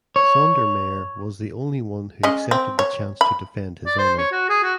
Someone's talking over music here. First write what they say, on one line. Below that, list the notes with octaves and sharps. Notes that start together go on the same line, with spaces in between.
Sondermajer was the only one who accepted the chance to defend his honour.
C#5
G#3 C#4 D#5
C4
C#5
B5
D5
C5
C#5
F#4
G#4
F#4